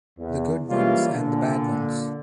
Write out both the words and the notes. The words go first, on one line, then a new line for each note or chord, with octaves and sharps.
The good ones and the bad ones.
E2
E3 G3 G#3 A#3 C#4 F4
A#2 D3